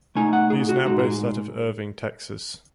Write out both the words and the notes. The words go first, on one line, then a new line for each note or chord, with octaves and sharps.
He is now based out of Irving, Texas.
B2 A3 D#4 G#5
F#5
G#4
F#4
A2 G#3 D#4 F#4
F#4
G#4